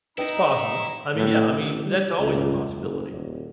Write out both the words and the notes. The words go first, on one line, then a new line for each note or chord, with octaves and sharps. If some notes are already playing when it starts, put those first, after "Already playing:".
It's possible. I mean, yeah, I mean, that's always a possibility.
D#4 E4 B4 G5 A#5
A2
A1
G3
C#2
F#1
D#1